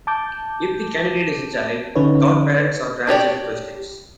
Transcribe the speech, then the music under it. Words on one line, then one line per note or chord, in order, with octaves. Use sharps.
If the candidate is a child, the godparents are to answer the questions.
A5 D6 G6
D3 C#4 D#4 B4 C#5
D4 G4 C#5 D5